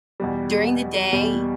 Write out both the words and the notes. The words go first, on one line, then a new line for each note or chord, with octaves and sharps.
during the day,
E2 B2 G3
E2 B2 G3